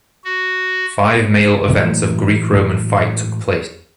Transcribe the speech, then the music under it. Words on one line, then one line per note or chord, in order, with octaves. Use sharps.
Five male events of Greek-roman fight took place.
F#4
A2 E3 F#3 G#3